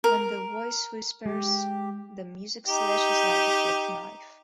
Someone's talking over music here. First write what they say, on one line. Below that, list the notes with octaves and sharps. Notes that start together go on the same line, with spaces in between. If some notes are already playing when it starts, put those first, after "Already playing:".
When the voice whispers, the music slashes like a flick-knife.
A#4
G#3 G4
D#4 G4